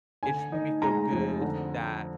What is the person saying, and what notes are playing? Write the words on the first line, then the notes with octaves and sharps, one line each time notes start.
it just made me feel good that
D3 G#5
D#4
G#3 A#5
F2
D3